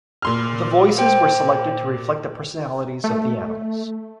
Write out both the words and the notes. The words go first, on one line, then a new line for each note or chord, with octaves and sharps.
The voices were selected to reflect the personalities of the animals.
A#2 C6 F6
C5 G5
A3